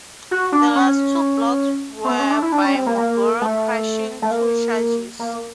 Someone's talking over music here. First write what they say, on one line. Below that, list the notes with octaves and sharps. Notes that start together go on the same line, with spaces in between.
The last two blocks were by Maguire, crushing two Chargers.
F#4
D4
C#4
C4
B3
C#4
D4
E4
D4
C#4
C4
A#3
A#3
A3
A3
A#3
A#3